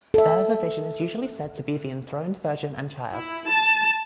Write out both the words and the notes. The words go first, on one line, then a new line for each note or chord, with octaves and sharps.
There the vision is usually said to be the enthroned Virgin and Child.
A4 E5
E4
A5